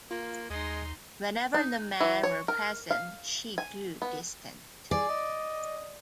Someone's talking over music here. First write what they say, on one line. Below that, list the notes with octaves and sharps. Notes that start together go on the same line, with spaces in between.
Whenever the men were present she grew distant.
A#3 F4
D#2 G#3 D#4 C6 D#6
D#4
E3
C#5
A#4
F5
G#5
B3
G#4 D5
D#5